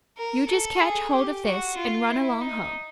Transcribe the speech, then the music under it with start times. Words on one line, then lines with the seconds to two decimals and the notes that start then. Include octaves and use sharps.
You just catch hold of this and run along home.
0.18 A#4
0.49 A4
0.81 G#4
1.13 G4
1.45 F#4
1.77 F4
2.09 E4
2.41 D#4